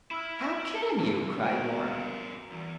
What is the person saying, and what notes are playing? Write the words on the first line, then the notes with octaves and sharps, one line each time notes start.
"How can you?" cried Nora.
E4 B5 E6 F6
C2
G2 B3 F#4 A#4
E2